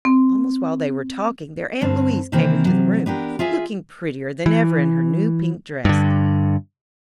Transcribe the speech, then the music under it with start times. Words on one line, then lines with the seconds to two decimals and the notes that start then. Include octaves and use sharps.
Almost while they were talking, their aunt Louise came into the room, looking prettier than ever in her new pink dress.
0.05 C4
1.81 G2 D3 C4 C#4
2.32 C3 D#3 E3 A#3 C4
2.65 C3 F#3
3.06 B3 D4 G4 A#4
3.39 F4 G#4 E5 G#5
4.46 E3
5.85 G2 D3